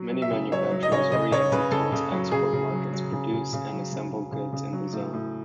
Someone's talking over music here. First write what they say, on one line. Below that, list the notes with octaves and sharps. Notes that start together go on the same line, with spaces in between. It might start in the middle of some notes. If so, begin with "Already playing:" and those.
Many manufacturers orietentated towards export markets produce and assemble goods in the zone.
Already playing: F#3
F#3
E5
C#3
F#3 C#5
F#3
D#5
C#3 C#5
C#3 D#5
C#3 C#5
C#3 B4
C#3 A4
C#3
F#3
C#3 G#4
C#3
F#3
F#3
C#3
C#3
C#3
F#3
C#3
C#3
C#3
C#3
F#3
A2
A2